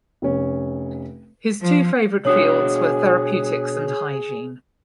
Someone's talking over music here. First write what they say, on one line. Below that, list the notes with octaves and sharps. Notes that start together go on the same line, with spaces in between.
His two favourite fields were therapeutics and hygiene.
F1 C#4
F3
B2 D4 F#4 G#4 C#5 D#6